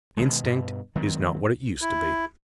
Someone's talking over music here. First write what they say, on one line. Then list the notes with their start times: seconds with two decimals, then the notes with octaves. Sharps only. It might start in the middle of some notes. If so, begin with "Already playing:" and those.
Instinct is not what it used to be.
0.17 B2 D#3 G#3
0.43 G2 B2
0.95 D#3 F#3 G#3 C4
1.81 E4